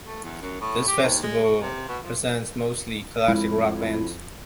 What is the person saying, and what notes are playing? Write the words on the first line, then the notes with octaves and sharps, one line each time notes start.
This festival presents mostly classic rock bands.
A3
E2
F#2
A2
G4
D#2
G#3
F#4
C3
B2
F3
F2 G#3 E4